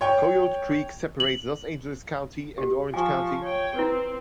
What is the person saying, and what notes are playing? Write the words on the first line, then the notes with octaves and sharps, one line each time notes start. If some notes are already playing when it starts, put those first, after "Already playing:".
Coyote Creek separates Los Angeles County and Orange County.
C#5 G5
F#7
G4
F3 G#5 C#6
C#5 G5
C4 E4 B4